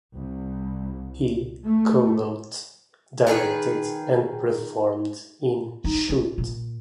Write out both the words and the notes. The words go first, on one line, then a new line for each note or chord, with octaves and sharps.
He co-wrote, directed and performed in "Shoot".
C2
A3
D#3 G#4 A#4 B4
D#4
F4
A#2